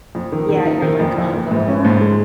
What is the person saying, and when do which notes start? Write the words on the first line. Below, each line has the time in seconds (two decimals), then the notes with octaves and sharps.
Yeah, you're, like, on-the-go a lot?
0.15 F2
0.32 D#3
0.49 D#3
0.65 D#4
0.82 D#3
1.00 F2
1.17 F2
1.33 F2
1.51 G#2
1.68 C#4
1.84 G#2
2.01 G#3